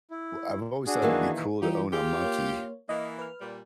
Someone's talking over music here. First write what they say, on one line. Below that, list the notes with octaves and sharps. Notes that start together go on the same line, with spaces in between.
w I've always thought it'd be cool to own a monkey.
E4
D4 F#4 G#4
D#3 E3 A#3
E3 G3 D#4 F4 G4
F4 G4 G#4
A#3 C#5
E3 A#3 D#5
B4 F6
A#2 G3